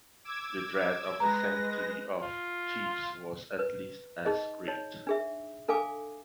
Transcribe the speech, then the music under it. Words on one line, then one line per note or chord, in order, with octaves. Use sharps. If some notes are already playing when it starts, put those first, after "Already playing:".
The dread of the sanctity of chiefs was at least as great.
D6 E6 G#6
G#3 B4 A#5 A#6
F4
B4
D#4 G#4 D#5
D#4 C#5
D4 G#4 E5
D4 A4 F5 G#5 D6